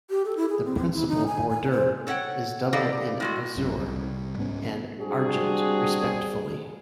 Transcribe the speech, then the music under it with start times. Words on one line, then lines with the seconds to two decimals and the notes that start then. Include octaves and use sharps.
The principal bordure is double in azure and argent, respectively.
0.10 G4
0.25 A4
0.37 E4
0.49 G#4
0.65 C4
0.77 C4
0.94 E4
1.08 D#4
1.27 G#5
1.49 G#5
1.71 C5
2.07 A4 C#5 E5 F#5 G5
2.73 B3 G4 A4 D5 D#5 F5
3.20 A2 G#3 F#4
3.56 G#1 F#2 C#4
3.77 C2 G3
4.38 G#2 B3 C#4
5.00 G3 C4 D4 F#4 G#4